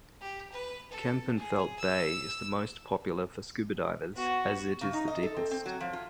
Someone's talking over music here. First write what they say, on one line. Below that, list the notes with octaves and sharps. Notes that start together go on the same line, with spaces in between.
Kempenfelt Bay is the most popular for scuba divers as it is the deepest.
G4
B4
A4
G#4
E6
B3 F#4
C#3
D#4
D#5
A4
C4
C4
F#3
F3
F4